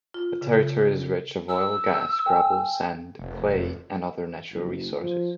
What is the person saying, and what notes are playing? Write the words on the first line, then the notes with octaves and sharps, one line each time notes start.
The territory is rich of oil, gas, gravel, sand, clay and other natural resources.
F4
C#3
E6
G5 G#5
F1
F#1
F3